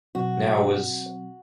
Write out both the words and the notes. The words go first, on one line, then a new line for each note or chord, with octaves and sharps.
Now was
B2 F#3 C4 F#4